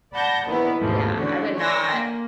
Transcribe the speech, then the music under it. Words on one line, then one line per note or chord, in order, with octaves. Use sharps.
Yeah, I would not
D5 F#5 A5 B5 G6 A#6
A#1 E2 D#3 B3 E4 B4
A1 D#2 G#2 B2 E3 F3
D3 E3 C#4 D4 F#4
C#5 D5 G#5 C6 E6 A#6
A#3